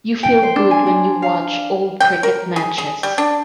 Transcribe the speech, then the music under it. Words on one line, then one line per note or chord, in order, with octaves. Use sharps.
You feel good when you watch old cricket matches.
G5
C5
D4
G#5
D4
F5
G5
A#4
G#4
G#4
G3
D4